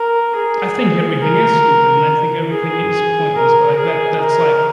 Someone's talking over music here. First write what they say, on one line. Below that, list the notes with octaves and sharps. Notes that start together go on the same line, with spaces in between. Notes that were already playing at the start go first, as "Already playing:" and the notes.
I think everything is stupid and I think everything is pointless, but like that that's like
Already playing: A#4
G#4
A#4
G#4
A#4
G#4
A#4